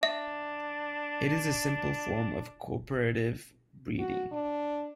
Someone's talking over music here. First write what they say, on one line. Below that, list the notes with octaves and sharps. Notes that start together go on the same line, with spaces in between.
It is a simple form of co-operative breeding.
D4 E5
F#4
D4